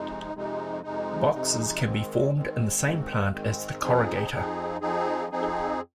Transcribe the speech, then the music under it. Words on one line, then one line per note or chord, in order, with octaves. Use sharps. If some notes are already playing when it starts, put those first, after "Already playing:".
Boxes can be formed in the same plant as the corrugator.
Already playing: F2 C3 G#3 D#4
F2 C3 G#3 D#4
F2 C3 G#3 D#4
F2 C3 G#3 D#4
G#2 D#3 G#3 C4
G#2 D#3 G#3 C4
G#2 D#3 G#3 C4
G#2 D#3 G#3 C4
F2 F3 C4 D#4 G#4
F2 F3 C4 D#4 G#4
F2 F3 C4 D#4 G#4
F2 F3 C4 D#4 G#4